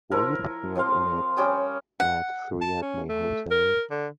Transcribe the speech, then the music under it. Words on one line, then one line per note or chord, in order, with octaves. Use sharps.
Will you pick me up in it at three at my hotel?
F3 E4 A#4
F3 C4 C5 F5
G3 C#4 G5 D#6
F#5
A5
C#4
A3
A#4
D3